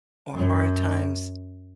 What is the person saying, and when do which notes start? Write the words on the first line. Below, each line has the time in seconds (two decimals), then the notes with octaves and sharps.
or hard times
0.35 F#2